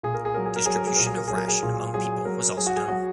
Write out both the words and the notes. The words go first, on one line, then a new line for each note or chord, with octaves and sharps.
Distribution of ration among people was also done.
A#2 G#4
A#4
G#4
F#3 A#4
G#4
A#4
F#3 G#4
A#4
G#4
A#2 A#4
G#4
A#4
F#3 G#4
A#4
G#4
A#2
F#3 G#4
F#3 A#4
F#3 G#4
F#4
G#4
F#3 F#4